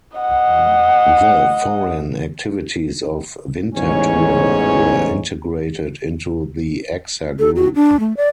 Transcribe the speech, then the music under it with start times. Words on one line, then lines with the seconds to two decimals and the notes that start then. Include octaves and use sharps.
The foreign activities of Winterthur were integrated into the Axa Group.
0.17 D#5 F#5
3.75 A1 E2 G#2 C#4 C#5
7.39 A4
7.56 F#4
7.75 D4
8.00 A3
8.17 D5